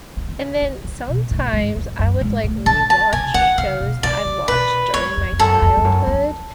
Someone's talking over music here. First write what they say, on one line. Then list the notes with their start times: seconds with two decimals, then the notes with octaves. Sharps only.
and then sometimes, I would, like, rewatch shows that I watched during my childhood,
0.17 D3
0.29 D3
0.39 C#3
0.62 D3
0.84 C#3
1.08 B2
1.31 A2
1.53 G#2
1.76 F2
1.99 F#2
2.21 G#2
2.44 A2
2.66 D3 A5
2.90 A5
3.13 C#3 G#5
3.34 D3 F#5
3.58 C#3 F5
3.80 B2
4.03 C#3 D5
4.25 C#3
4.48 B2 B4
4.94 G#2 C#5
5.17 F2
5.32 F2
5.39 F#2 A4
5.62 F2
5.77 F2
5.84 F#2
6.07 F2